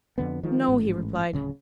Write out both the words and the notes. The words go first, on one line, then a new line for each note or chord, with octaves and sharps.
"No," he replied.
F2 D3 B3
D#3 F3 G#3
A1 G#2
D1 C#3